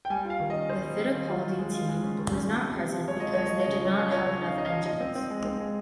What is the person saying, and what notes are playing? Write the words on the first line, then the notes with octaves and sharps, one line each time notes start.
The Fittipaldi team was not present because they did not have enough engines.
G5
G3 G#5
F4
F5
D#3
D#5
C#4
D#3 C5
G3
G3
D#3
F4
F4
G#3
F4
G#3
C#4
D#3
C#4
F3
C3
C3
F3
G#3 C#5
F3 D#5
F3 C#5
D#5
F3
C#5
C#3
D#5
F3 C#5
F3 D#5
F3 C#5
C#3 C#5
D#4 F5
D#4 D#5
F5
F3
F4 D#5
C4
C4
G#3
C4
G#3